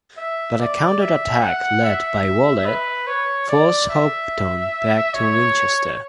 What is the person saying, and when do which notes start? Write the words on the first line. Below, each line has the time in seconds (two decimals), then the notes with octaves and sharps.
But a counter-attack led by Waller forced Hopton back to Winchester.
0.18 E5
0.59 D5
1.01 E5
1.41 F#5
1.84 E5
2.65 B4
3.07 C#5
3.48 D5
3.89 E5
5.14 C#5